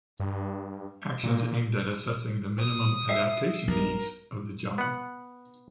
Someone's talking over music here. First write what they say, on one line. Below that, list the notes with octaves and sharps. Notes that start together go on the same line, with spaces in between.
Actions aimed at assessing the minimum adaptation needs of the job.
G2
A#2
D#6
E5 C7
B1 B2 A#4
B3 F#5